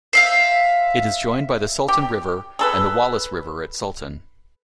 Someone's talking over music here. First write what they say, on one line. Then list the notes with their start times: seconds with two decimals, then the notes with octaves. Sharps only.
It is joined by the Sultan River and the Wallace River at Sultan.
0.13 C5 E5 F5
1.88 G4
2.59 G#4 A4 B4